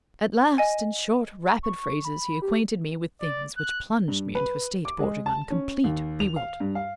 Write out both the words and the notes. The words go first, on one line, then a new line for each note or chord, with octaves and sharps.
At last, in short rapid phrases, he acquainted me with things which plunged me into a state bordering on complete bewilderment.
D#5 G#5
C#6
B5
G4
D5
F#6
G2
B4
D6
G#3
A5
C#4
D#2
F7
F5
G2
F5